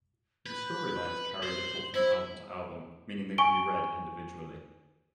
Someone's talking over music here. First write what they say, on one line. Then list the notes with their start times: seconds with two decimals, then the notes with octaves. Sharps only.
The storylines carry little from album to album, meaning they can be read individually.
0.46 B4 G6
1.07 F#7
1.43 C5
1.95 E4 C5 E6
3.38 G#5 C#6 D7 G7